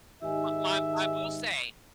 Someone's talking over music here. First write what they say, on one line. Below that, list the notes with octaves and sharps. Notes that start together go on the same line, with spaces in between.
M my I will say
G#2 D#3 D#4 G4 D#5 E5 G#5